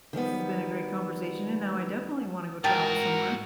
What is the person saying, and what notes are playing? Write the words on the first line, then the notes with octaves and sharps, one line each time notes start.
this has been a great conversation, and now I definitely wanna go travel somewhere.
D#3 F3 G3 B3
G#2 F#4 G4 A#4 G5 A5